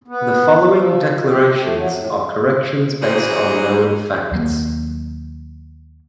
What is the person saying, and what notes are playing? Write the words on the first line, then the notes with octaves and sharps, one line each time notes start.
The following declarations are corrections based on known facts.
B3
F3
G4
A3
F#3
A2
E3 F#3 A#3 G#4 A#4 C5
D#2 F#3 A#3